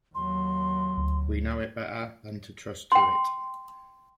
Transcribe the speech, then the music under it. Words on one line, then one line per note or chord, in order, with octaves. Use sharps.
We know it better than to trust to it.
D#2 F#3 C6
D2
G5 C6